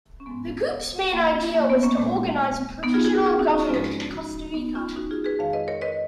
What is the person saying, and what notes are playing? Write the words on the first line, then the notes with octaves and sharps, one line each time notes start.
The group's main idea was to organize a provisional government in Costa Rica.
C#4
G#2 F3 G#3 B3
A#3
A#3
B3
A#3 C#4
A#2 G#3
B3 D#4
F4 G#4
F4 G#4
F#4 A#4
F4 G#4
D#4 F#4
C#4 F4
G#2 F3 G#3 C#4 F4
D#4 F#4
B3 D#4
C#4 F4
D#4 F#4
F4 G#4
G#4 B4
F2 D#3 G#3 C#5 F5
B4 D#5
A#4 C#5
B4 D#5